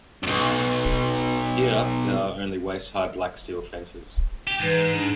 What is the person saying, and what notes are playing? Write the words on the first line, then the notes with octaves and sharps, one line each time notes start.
Here, there are only waist-high black steel fences.
B1 F#2
G4
G#2 E3
D4